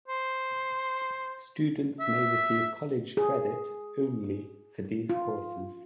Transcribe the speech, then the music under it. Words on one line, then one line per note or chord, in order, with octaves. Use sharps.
Students may receive college credit only for these courses.
C5
E5
G#4
F4